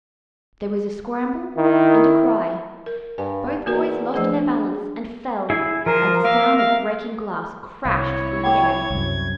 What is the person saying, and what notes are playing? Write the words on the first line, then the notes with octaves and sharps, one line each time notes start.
There was a scramble and a cry, both boys lost their balance and fell, and the sound of breaking glass crashed through the air.
D#3 E4
A#4
G2 G#5
E2 A#3 F#4 A#4
F3 A3 D4 G#4 C5
E4 G#4
F3 A#4 C5
A#3 A#4 E5 F5
F5
C2 E4 C#5 F5
F#5 G5 D6 G#6
C2 F#2